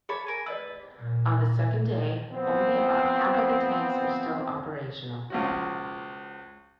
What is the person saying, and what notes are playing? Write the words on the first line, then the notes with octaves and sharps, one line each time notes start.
On the second day, only about half of the tanks were still operational.
G#4 C#5 A5 B5
A#4 G#5
B4 D5 D#5 E6
A#2
F3 B3 C4
C#2 F3 F#4